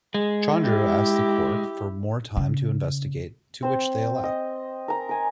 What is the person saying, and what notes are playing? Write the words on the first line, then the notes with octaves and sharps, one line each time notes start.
Chandru asks the court for more time to investigate to which they allow.
G#3 G#4
E4 G4
C#3
C4 C5
D#5
A#4 A#5
A#4 G#5